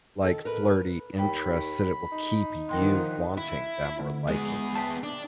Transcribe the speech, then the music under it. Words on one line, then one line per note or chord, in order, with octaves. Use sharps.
like, flirty interest that it will keep you wanting them or liking them.
D#3 A4
A#4 B4
D#2 G5 B5
D#4
D3 D#3 F3 A#4 F#5 G5 C6
E4
D2
G#3 B3 G#4
E5 G5 A5
D4